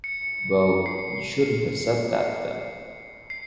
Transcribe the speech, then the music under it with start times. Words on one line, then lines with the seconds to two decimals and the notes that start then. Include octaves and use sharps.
Well — you shouldn't have said that, then.
0.04 C#7
0.86 C7
3.30 C7